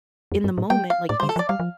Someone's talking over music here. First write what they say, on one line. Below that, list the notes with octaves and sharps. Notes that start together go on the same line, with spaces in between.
in the moment, like, he's
F2
G2
A2
G3 G5
F5
A2 D5
C5
D3
A4
F3
D5
G3 F5
F3